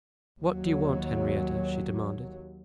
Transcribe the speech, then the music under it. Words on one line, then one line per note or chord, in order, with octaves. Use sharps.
"What do you want, Henrietta?" she demanded.
D#2 F#3